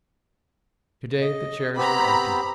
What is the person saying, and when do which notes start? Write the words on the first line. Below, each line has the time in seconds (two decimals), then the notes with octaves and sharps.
Today the chairs were empty.
1.21 D#5
1.77 B3 C4 G4 A#5 B5